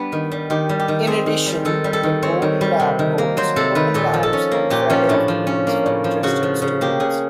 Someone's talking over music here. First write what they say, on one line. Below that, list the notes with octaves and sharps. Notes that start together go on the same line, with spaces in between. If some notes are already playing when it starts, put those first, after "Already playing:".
In addition, the Bourn Lab holds "Open Labs" on Friday afternoons for interested students.
Already playing: G3 B3 D4
D#3
G3
D#3 G4
G3
G4
D#3
C4 G#4
D#3
G3
D#3 A4
G3
A4
D#3
C4 C#5
D#3
G3
C3
D#3
A#3
F#3 C5
C3 A4
D#3 B4
A#2 A4
F3
A4
C#4
A#3
A#2 G4
F3 C#4
A2 D4
F3
C#4
A#3
A2
F3
C#3 F#4
F3
C#3
A#3 G4
C#3 G#4